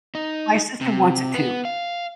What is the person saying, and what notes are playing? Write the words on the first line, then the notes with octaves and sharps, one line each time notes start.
My sister wants it too.
D#4
C3
B3
F5